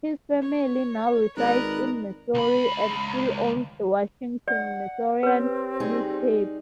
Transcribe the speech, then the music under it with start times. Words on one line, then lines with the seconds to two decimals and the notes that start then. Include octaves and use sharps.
His family now resides in Missouri and still owns the "Washington Missourian" newspaper.
0.42 C#5
1.37 G#1 D#4 G#4 A#4 B4 D5 F#6
2.34 C#2 B5
4.48 D5 F#5
5.23 C4 G4 B4 C#5
5.80 G3 D#4 G#4